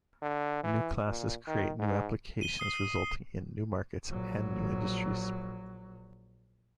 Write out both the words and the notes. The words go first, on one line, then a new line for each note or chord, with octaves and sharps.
New classes create new applications resulting in new markets and new industries.
D3
E3
A#2
D#3
G#2
D#7 G7
D#6 C7 G7
A#1 F#3